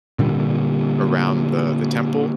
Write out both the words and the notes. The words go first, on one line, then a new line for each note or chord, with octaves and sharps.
around the the temple,
A#2 D3 G3